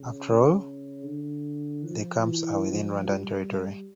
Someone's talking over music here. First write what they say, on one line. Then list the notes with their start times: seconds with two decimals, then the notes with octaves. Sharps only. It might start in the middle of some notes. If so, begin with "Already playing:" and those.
After all, the camps are within Rwandan territory.
Already playing: C#3
1.04 D3
1.84 F3
2.24 E3
2.64 F3
3.06 G3